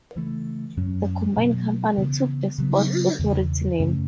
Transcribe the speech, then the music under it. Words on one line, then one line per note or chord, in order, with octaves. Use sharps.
The combined company took the Sports Authority name.
C#3 E3 A3
F#2 F#3 C#4
B2 F#3 B3
C#3 E3 B3
C#3 F#3 B3
E2 C#3 E3
F#2 C#3 A3 C#4